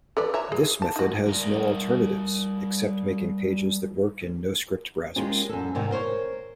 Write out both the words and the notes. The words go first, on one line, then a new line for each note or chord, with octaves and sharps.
This method has no alternatives, except making pages that work in noscript browsers.
A4 B4 D5
C#5 E5 A#5
G#4
A5
D#4 F#4
G3 A#4 D5
G#3 A#3 C#4 D#4 F4 G4
F#2 A4
G#2 C3 D#3
A#4 C5 C#5